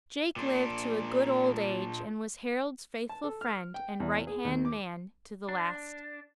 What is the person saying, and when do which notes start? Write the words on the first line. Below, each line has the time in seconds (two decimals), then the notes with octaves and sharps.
Jake lived to a good old age and was Harold's faithful friend and right-hand man to the last.
0.36 A#2 D4
3.09 A5
3.24 A4
3.41 F6
3.74 G5
4.00 E2
4.27 G#4
4.45 D#2
4.65 D6
5.49 D4